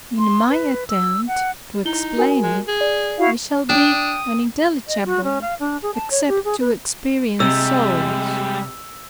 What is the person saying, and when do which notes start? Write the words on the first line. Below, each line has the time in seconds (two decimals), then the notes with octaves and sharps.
In my attempt to explain it, I shall be unintelligible, except to experienced souls.
0.18 C6
0.49 B4
0.89 E6
1.27 F#5
1.85 D#4 E4 G7
2.17 F#4 A#4 G#5
2.43 G#3
2.68 G#4
2.81 D5
3.18 E4 F#4 F5
3.70 D4 G5 D#6
4.87 D#5
5.05 F#4
5.23 C#4
5.41 F5
5.59 D4
5.82 G#4
5.94 A5
6.10 C#5
6.28 G4
6.44 G#4
6.60 B4
7.40 C3 G3 G#3 E6